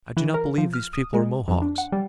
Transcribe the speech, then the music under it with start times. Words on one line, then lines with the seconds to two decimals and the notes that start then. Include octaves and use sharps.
I do not believe these people are Mohawks.
0.17 E3
0.34 A#4
0.58 F3
0.73 F6
0.93 D#6
1.14 G#3
1.48 F2
1.62 D4
1.78 F#5
1.92 G3